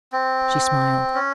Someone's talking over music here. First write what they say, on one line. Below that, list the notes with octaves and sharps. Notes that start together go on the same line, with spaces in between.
She smiled.
C4
C#4